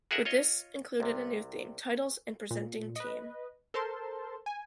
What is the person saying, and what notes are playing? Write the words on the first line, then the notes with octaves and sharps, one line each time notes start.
With this included a new theme, titles and presenting team.
F#4 G#4 A#4 E5 F#5
F4 C#5 D#5
C2 C3
A#2
B4 D#5
A4 A#4 C5 A5 C6
G#5